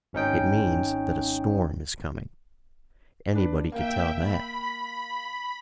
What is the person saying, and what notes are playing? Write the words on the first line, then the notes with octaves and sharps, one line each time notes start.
It means that a storm is coming. Anybody could tell that.
G#1 C#4 D#4 G5
D4 B4
A#3 E5 G5
B5